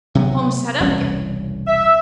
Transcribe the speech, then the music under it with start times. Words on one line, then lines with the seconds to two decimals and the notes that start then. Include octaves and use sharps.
Holmes sat up again.
0.15 C3 F#3 B3
0.80 E1 C2 C#4
1.66 E5